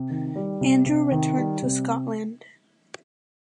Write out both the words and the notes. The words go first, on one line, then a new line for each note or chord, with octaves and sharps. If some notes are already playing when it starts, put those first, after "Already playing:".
Andrew returned to Scotland.
Already playing: C3
D#3
G3
C3
C3
D#3
G3
C3